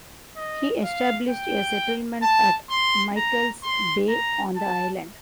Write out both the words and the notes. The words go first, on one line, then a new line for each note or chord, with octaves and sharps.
He established a settlement at Michael's Bay on the island.
D#5
F5
G5
A5
C6
A#5
C6
A#5
A5